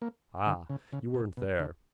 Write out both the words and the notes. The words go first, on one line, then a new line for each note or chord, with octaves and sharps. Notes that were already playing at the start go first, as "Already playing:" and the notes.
Ah, you weren't there.
A#3
D3
C#3
C#3
B2
B2
D3